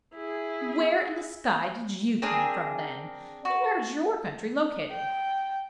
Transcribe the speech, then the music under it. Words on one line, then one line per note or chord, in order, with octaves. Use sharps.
"Where in the Sky did you come from, then, and where is your country located?"
E4 G#4
C4 D4 G#4 A#4
F#4
G5